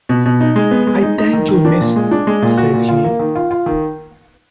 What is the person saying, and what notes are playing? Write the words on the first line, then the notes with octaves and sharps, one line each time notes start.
"I thank you, miss," said he.
B2
B2
D#4
G#3
B3
G#3
D#4
D#4
D#3
D#3
D4
A#2
G#3
D4
G#3
A#2
F#4
A#2
F4
A#3
D#3
F4
F4
D#3